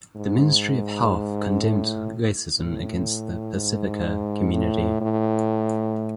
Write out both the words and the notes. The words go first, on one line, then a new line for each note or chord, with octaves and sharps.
The Ministry of Health condemned racism against the Pasifika community.
G#2
A2
A2
G#2
A2
A2